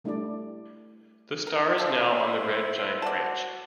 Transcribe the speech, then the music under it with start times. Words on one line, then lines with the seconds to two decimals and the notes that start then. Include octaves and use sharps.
The star is now on the red giant branch.
0.04 G3 A3 D4 E4 G4 D5
1.47 A#4
1.78 F3 E4 G4 C5 C6
3.02 F#4 D5 A5